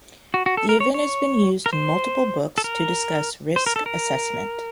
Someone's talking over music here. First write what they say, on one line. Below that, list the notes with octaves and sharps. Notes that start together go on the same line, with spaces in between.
The event has been used in multiple books to discuss risk assessment.
F#4
F#4
A4
A#4
C#5
C#5
A#4
C5
A4
A#4
C5
A#4
A4
A#4